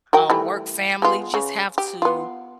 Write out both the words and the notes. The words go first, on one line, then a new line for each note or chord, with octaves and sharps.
a work family, just have to
F#3 A#4 G5
E3 G3 A3
G#3 B3 F4
C#3
G4
B3 F4